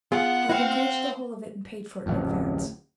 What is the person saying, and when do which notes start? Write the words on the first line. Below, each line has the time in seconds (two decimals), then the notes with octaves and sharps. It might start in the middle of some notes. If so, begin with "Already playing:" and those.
"They have engaged the whole of it and paid for it in advance."
0.12 B3 F4 G#4 F#5
0.49 E4 F#4 C5 F5 G5
2.06 D1 A1 F2